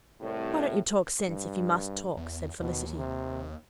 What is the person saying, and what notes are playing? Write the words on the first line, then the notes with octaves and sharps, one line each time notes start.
"Why don't you talk sense, if you must talk?" said Felicity.
C2 A2
G2
E2
D#2 B2
C3